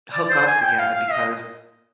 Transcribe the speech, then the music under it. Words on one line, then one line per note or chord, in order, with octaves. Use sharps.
hook up together because
D5
C5
G#5
G5
F5
F5
D#5